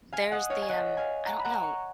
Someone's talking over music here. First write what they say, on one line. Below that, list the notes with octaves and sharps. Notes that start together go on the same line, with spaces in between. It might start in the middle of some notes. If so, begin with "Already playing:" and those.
there's the, um, I don't know.
F5 G#5
D#5 F#5
C#5 F5
G#5
D#5 F#5
F5 G#5
F#5 A#5
B5
F#5 A#5
C#6